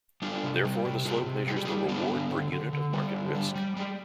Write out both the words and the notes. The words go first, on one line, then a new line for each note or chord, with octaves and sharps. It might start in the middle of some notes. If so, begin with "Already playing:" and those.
Therefore, the slope measures the reward per unit of market risk.
G3 D4 F4
C3
G3
C3
C3 F4 G#4
C3
G3 G#4
G4
F4 G#4
G3
G3 B3 D4
D3
D3
D3
D3
G3
D3
G3
G3
G3 G#3